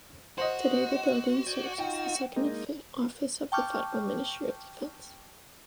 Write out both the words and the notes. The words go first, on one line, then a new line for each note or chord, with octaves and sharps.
Today the building serves as second office of the Federal Ministry of Defence.
F#4 C5 D#5
D5 G5 G#5
D#4 F4 G5
G#3 A#3 D#4
G5 A5 C#6 D6 F6 G6